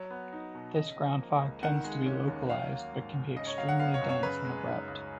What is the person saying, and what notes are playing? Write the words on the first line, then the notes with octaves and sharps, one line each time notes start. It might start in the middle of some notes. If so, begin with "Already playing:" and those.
This ground fog tends to be localized but can be extremely dense and abrupt.
Already playing: F#3
B3
D#4
B2
C#3 D#5
F3
A#3
C#2
D#3 F#5
G#3
C#4
D#2
F#3 F5
A#3
G#2
G#2
C#3 D#5
C#5
F#3 F5
F#5
B3 F5
C#5
F#2
C#5
C#3 B4
G#3
D#4
C#2